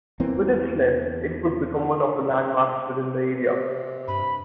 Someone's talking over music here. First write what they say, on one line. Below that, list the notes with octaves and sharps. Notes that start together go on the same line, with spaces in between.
With its length, it would become one of the landmarks within the area.
E2 E3 A#3 C4
C3
G2 B5